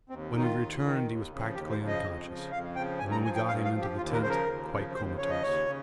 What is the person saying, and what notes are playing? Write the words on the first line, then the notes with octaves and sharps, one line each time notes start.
When we returned he was practically unconscious, and when we got him into the tent quite comatose.
D#2 C4
D#3 D#4
F4
D#2
D#3
D#2
C#3
F3
D#2 G4
C5
C#3 F3
D#5
F2
C#3 F3
F2 F5
C#3 F3 G5
G2 G#5
A#5
F3 G#5
G5
G2 F5
F5
F3
G4
D#2 F4
A#4
C#3 F3 C5
A#4
D#2
C#3 F3
D#2 C5
C#3 F3 C#5
D#5
D#2 C#5
C#3